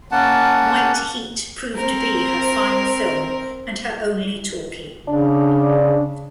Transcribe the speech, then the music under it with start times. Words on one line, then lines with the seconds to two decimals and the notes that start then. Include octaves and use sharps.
"White Heat" proved to be her final film, and her only talkie.
0.11 A#3 C#4 F#5 A5
1.76 C4 A#4
5.07 C#3 D4